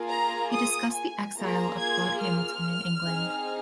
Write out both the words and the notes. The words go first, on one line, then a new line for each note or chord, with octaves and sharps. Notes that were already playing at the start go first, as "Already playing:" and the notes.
He discussed the exile of Claud Hamilton in England.
Already playing: A#3 F4 G#4
A#5
D#6
G#5
A#3 F4 G#4 A#5
G#6
F6
C4 D#4 G#4